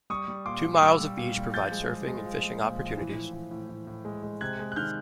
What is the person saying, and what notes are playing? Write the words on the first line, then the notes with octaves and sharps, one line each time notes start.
Two miles of beach provide surfing and fishing opportunities.
G3 C#6 D#6
G3
A#2 C6 D6
A#2
G3 D6 E6
G3
A#2
G3
F3 G6 A6
G#3
G#3
G#3
F3
G#3
A#2
F3
E3
A2
E3
A2
A2
A2
G#3
G#3
C3 F#6 G#6
G#3
F#6
D#3 F6 G6